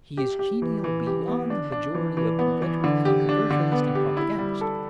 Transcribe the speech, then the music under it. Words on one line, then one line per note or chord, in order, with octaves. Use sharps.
He is genial beyond the majority of inveterate controversialists and propagandists.
G4
G4
E3
E3
G4
B3
D4
D4
E3
E3
B3
E3
D3
G4
D4
D3
B3
G4
E4
G3
A4